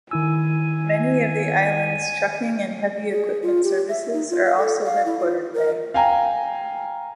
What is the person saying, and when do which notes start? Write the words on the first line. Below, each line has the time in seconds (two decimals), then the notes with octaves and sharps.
Many of the island's trucking and heavy-equipment services are also headquartered there.
0.11 D#3 E4 G#5 E6
3.11 G#4
3.42 F4
3.64 G4
3.89 E5
4.13 D#4
4.30 F4
4.45 F5
4.58 A4
4.85 F5
5.06 E4
5.20 F4
5.54 A#4
5.94 F5 G5 G#5 A#5